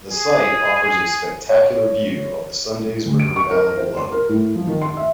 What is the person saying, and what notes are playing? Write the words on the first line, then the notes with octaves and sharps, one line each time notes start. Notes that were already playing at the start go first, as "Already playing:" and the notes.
The site offers a spectacular view of the Sundays River Valley below.
G#4
C#5
D2
D7
C#6
A#4
C5
C6
A#4
A2
F3
D#3
C6
E5